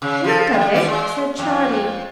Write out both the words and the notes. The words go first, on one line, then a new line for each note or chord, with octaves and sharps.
"Not a bit," said Charlie.
C#3
F3
G3
E3 D5
G#3
F2